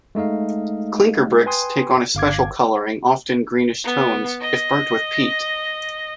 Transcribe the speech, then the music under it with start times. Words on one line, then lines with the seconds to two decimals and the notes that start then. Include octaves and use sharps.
Clinker bricks take on a special colouring, often greenish tones, if burnt with peat.
0.15 G#3 A3 D#4 D#5 F5
1.46 B4 G5 G#5 C6 D#6
2.15 G1 F5 D6 G#6
3.84 B3
4.40 D#5